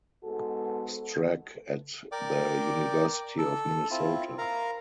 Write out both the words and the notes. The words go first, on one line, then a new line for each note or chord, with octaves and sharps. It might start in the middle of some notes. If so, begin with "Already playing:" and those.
Strack at the University of Minnesota.
G#2 G#3 B3 F#4 A4
A#4 D5 G5 D6
A4
C4 E4 F4
A#4 F5 A#5